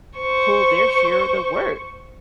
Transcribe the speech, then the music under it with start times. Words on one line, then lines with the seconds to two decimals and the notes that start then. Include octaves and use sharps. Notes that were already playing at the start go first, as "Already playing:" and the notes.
pull their share of the work,
0.17 C5 C#6